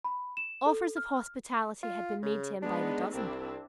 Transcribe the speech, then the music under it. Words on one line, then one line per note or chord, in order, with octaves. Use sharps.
Offers of hospitality had been made to him by the dozen.
B5
E7
A4
F6
F4
C#3
G#3 B3 D4 D#4
C2 C4 D4 E4